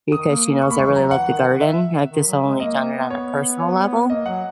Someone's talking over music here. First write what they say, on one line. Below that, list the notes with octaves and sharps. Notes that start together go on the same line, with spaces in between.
because she knows I really love to garden. I've just only done it on a personal level
D#3 D#6
A#3
A#3
A#3 C#6
B5
G#3 C#6
E3
F#3 A#5
E3 F#5
D#3
E5
D#3
F#3
G#3
A#3 D#5
A#3
B3
C#5
C#5
A#3 D#5
F#3 F#5